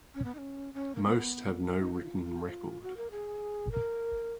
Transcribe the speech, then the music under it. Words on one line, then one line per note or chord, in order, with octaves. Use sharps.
Most have no written record.
C#4
B3
D#4
C#4
C#4
A#3
B3
C#4
D#4
F#4
F4
F4
F#4
A#4
G#4
A#4